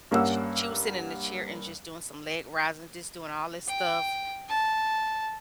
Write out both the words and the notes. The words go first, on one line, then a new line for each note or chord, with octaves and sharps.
Sh she was sitting in the chair and just doing some leg rising, just doing all this stuff.
G2 A#3 C#4 F#5 E6
G5
A5